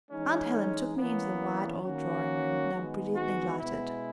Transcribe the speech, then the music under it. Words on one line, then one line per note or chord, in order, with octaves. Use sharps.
Aunt Helen took me into the wide old drawing-room, now brilliantly lighted.
E3 G#3 C#4 D#4
E3 A#3 B3 C#4 E4
D#3 A#3 C#4 F#4
D#3 G#3 B3 D#4
F#4
B2 G#3 B3 E4